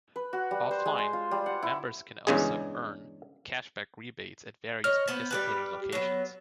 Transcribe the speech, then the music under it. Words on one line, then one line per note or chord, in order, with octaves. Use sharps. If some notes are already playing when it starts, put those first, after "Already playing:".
Offline, members can also earn cash back rebates at various participating locations.
B4
F#4
G3
C5
G#3
C6
F4
G3
F#5
E4
E2 G2 C#3 G#3 G#4
C#5 D#5 F6
B3 C5
G3 G4 B4
F#3 B3